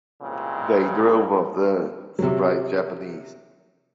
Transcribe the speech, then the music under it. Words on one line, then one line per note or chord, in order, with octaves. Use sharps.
They drove off the surprised Japanese.
C2 A#2 C#3 E3 G#3 C4
C3 F#3